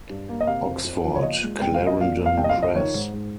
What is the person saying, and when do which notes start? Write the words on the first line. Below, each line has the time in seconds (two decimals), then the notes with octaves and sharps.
Oxford, Clarendon Press.
0.09 G2
0.29 A#3
0.41 D#5
0.47 C3 F5
0.67 F2
0.85 F2
1.05 F3
1.15 C#5
1.23 A#2 D#5
1.43 G#3
1.61 C2 G5
1.74 F5
1.81 F3
1.87 D#5
2.00 A#2 F5
2.18 A#3
2.26 F5
2.37 C2 G5
2.44 D#5
2.49 F5
2.57 F3
2.63 D#5
2.75 D#3 C#5
2.94 G#2
3.13 G#2